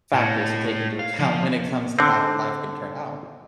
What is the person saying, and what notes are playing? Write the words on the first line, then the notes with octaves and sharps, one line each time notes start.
factors to take into account when it comes to how life can turn out.
A2
F5
F3
D3 C4